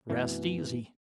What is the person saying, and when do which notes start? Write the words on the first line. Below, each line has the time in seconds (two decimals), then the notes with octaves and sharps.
"Rest easy."
0.10 F#2 B2 E3 A3 C4